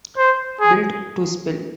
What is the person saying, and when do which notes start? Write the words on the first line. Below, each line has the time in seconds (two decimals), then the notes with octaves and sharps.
Built to Spill.
0.17 C5
0.60 G#4